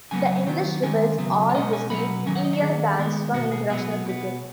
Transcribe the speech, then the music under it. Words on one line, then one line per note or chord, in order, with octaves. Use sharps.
The English rebels all received three-year bans from international cricket.
C#3 F#3 B3 G#5
D#3 F#3 B3
D#3 G#3 C#4 G#5
C#3 F#3 B3
C#5
B2 G#3 C#4 D#5
G#5
B2 F#3 B3 B5
D#3 F#3 C#4 G#5
F#5
D#5
C#5
D#3 B3 G#4
D#3 G#3 B3
B2 B3 F#4
G#4
B2 F#3 B3 G#4
B2 B3